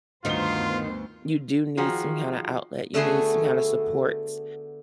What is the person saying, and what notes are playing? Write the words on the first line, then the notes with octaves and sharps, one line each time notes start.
you do need some kinda outlet, you need some kinda supports,
D2 G2 D#3 B3 D#4 F4 C5 G7
D#3 F3 F#4 G#4
D3 A3 B3 F#4 G#4 C6